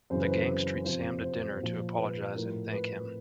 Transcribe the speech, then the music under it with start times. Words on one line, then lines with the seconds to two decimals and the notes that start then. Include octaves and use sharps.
The gangs treat Sam to dinner to apologise and thank him.
0.10 F#2 C#3 E3 C5
0.21 B4
0.31 C5
0.85 F2 C3 F3 C5
1.23 C5
1.61 A#2 F3
1.98 B4
2.35 A2 F3 A#4
2.72 B4